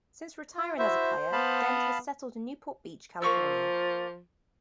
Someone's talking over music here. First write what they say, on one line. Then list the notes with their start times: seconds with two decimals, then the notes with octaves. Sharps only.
Since retiring as a player, Dent has settled in Newport Beach, California.
0.55 F4
0.79 E4 F#4 C5 E5
1.32 B3 F5 A5 B5
3.22 F3 A#3 C#6 E6